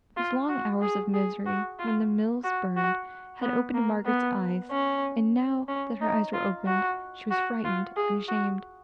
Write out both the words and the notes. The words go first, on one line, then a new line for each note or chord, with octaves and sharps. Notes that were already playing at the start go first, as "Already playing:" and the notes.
Those long hours of misery when the mills burned had opened Margaret's eyes; and now that her eyes were opened, she was frightened and ashamed.
F4
F#4
G#4
G#4
F#4
F4
F#4
F#4
B3
A#3
B3
C#4
C#4
D#4
F4
F#4
F#4
F4
G#4
F#4